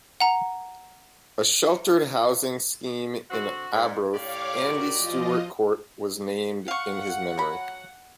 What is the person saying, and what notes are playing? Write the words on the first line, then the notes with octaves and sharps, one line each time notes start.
A sheltered housing scheme in Arbroath, 'Andy Stewart Court', was named in his memory.
F#5 A#5
D3 C4 F#4
G#2
A2 G4 C#5 D5 F5 D6
F#4 A#4
F3 F4 D#5
F5 F#5 C#6
F#3 B5